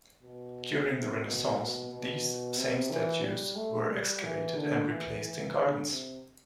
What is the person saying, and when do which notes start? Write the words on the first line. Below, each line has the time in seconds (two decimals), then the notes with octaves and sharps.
During the Renaissance these same statues were excavated and re-placed in gardens.
0.23 B2
0.89 C3
1.23 B2
1.56 B2
1.90 B2
2.57 C3
2.90 E3
3.22 G3
3.56 A3
3.90 G3
4.22 E3
4.56 D3
4.90 E3
5.23 E3
5.57 D3
5.89 C3